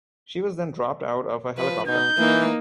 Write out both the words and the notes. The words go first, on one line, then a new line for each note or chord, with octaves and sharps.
She was then dropped out of a helicopter.
F3 B4
B2 D#4 G6
E3 A#3 D#4